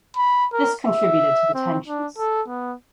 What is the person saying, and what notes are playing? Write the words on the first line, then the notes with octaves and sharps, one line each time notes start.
This contributed to the tensions.
B5
A#4
E5
C4
D4
A4
B3